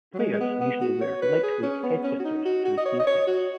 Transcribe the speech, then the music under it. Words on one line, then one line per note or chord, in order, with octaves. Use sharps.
Players usually wear lightweight head sensors to receive hits.
F#3
G#3
G#3
B3
B3
F#4
C#5
B4
G#4
C#4
B3
C#4
F#4
D#4
F#4
F#4
D#5
C#5
D#5
C#5
F#4